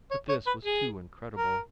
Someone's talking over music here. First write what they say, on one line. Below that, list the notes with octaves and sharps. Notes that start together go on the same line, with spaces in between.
But this was too incredible.
C#5
C#5
B4
G#4
A#4